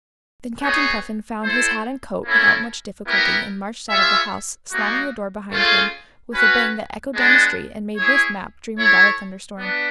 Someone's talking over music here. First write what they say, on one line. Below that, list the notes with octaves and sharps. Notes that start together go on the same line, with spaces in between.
Then Captain Puffin found his hat and coat without much difficulty, and marched out of the house, slamming the door behind him with a bang that echoed down the street and made Miss Mapp dream about a thunderstorm.
B3 D#4 G#4 C#5
E4 A4 C5
A#3 C#4 E4 A4
B3 E4 G4 A#4
F4 G#4 C#5 E5
G3 A#3 D#4 F#4
A3 C#4 F4 G#4
C#4 F#4 B4
G#3 B3 D4
E4 G#4 C#5
E4 A4 C#5
B3 D4